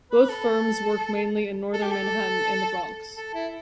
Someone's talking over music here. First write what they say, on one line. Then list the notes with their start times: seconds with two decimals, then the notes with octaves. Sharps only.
Both firms worked mainly in northern Manhattan and the Bronx.
0.11 B4
0.23 B4
0.29 A4
1.73 A4
1.82 G4
1.91 A4
3.17 A4
3.34 E4